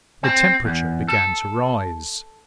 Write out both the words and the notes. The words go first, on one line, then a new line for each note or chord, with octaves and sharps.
The temperature began to rise.
C4
E2
A4